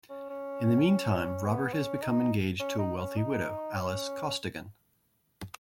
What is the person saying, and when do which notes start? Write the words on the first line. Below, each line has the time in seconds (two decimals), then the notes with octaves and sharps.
In the meantime, Robert has become engaged to a wealthy widow, Alice Costigan.
0.10 C#4
0.30 C#4
1.44 B3
1.73 C#4
2.02 D#4
2.59 C#4
2.78 D#4
2.98 C#4
3.17 D#4
3.75 C#4